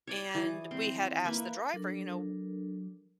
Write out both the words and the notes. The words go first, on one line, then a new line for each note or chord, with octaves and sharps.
and we had asked the driver, you know,
C#5 D5 G#5
E3 G#4
C4
A#5
A#3 B4 E5
F#3 D4 A4 A#4